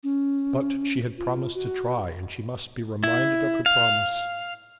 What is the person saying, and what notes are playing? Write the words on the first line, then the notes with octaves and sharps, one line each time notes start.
But she had promised to try, and she must be reminded of her promise.
C#4
F4
F#4
E4
F5